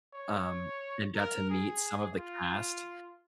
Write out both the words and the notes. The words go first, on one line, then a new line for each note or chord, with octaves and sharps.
Um, and got to meet some of the cast.
C#5
A#4
G#4
F4